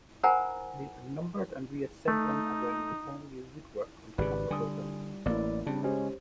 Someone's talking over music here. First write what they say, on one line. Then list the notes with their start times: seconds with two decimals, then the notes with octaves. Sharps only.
They were numbered and reassembling around all-new woodwork on Capitol Hill.
0.23 A#4 C5 F#5 G#5 A#5 B5
2.08 A3 D#4
4.18 G#1 C#3 G4 G#4 B4 D5
4.51 D3 G3 G#5 D#6
5.26 A1 A#3 E4 D5
5.67 C#3 G3 C4 D4
5.83 G#3 C#4 G4 C5 C#5